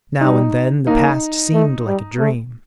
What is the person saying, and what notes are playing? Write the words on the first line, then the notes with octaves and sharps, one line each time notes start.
Now and then the past seemed like a dream.
G3 D#4
A#3 D#4
A3
G3
A3